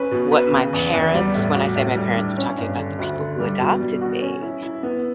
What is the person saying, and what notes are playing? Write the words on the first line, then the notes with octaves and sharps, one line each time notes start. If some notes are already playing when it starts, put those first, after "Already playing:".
what my parents when I say my parents, I'm talking about the people who adopted me.
Already playing: C#4 B4
B2
B4
C#3
E2
E2
G3
A2
F#4
A2
G3
D4
C#4
G2
D3
D2
D3
G3
B2
G3
F#4
C#4
E4
E4
B3